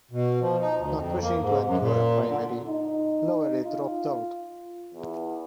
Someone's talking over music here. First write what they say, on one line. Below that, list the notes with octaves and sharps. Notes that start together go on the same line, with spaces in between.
Not wishing to endure a primary, Lowery dropped out.
B2
F3
D#4
D2
F2
A#3
G#2
F#2
A#2
D3
D#4
F4
E2